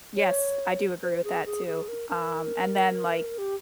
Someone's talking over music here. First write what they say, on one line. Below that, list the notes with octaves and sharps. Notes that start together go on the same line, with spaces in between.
Yes, I do agree with that too. Um, and then, like,
C#5
C5
G#4
G#4
G#4
A#4
A#4
G4